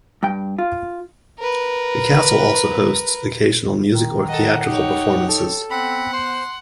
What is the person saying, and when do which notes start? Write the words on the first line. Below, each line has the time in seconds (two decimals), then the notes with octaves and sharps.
The castle also hosts occasional music or theatrical performances.
0.23 G2 G5
0.58 F4
1.38 A#4 B4
3.93 D#3
4.29 A4 D#5 F#5
4.66 D#4 G4 C#5
5.29 A4
5.71 B3 C4 F#5 B5
6.13 C5 C6